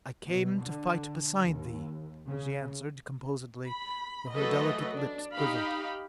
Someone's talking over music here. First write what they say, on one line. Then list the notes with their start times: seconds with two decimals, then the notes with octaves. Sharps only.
"I came to fight beside thee," she answered composedly, though her delicate lips quivered.
0.25 B2
0.61 D3
1.42 D#2
2.28 C#3
3.69 B5
4.35 E3 F#3 A3 A4 B4 D#5
4.95 D4
5.33 D#4 G4 F5 B5